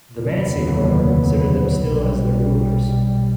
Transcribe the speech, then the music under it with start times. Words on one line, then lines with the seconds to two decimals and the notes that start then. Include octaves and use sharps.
The Mansi, however, considered them still as their rulers.
0.17 F1 D#2 D3 F#3 B3
1.84 B1 B2 G3